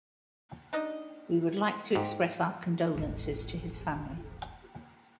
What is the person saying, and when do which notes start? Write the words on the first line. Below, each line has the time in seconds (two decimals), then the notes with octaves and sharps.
We would like to express our condolences to his family.
0.73 D4 D#4 D#5
1.95 G#2 G4
2.95 E1 A1